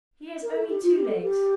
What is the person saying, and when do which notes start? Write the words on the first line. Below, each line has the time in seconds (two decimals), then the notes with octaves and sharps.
He has only two legs!
0.43 A#4
0.56 A4
0.69 G4
0.82 F4
0.96 G4
1.09 A4
1.23 G4